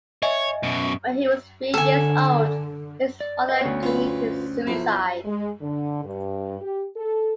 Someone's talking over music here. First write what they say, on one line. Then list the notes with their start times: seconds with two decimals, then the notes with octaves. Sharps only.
When he was three years old his father committed suicide.
0.23 C#5 D#5 E5 G#5
0.63 F#2 B2
1.74 D3 A4 G#5
3.20 D5
3.49 B4 D#5 F#5
3.61 D2 B3 C#4 C#5
3.83 C#4 F4 B4 C5
4.67 B1 F3 E4
5.25 G#3
5.61 D3
6.04 G2
6.61 G4
6.97 A4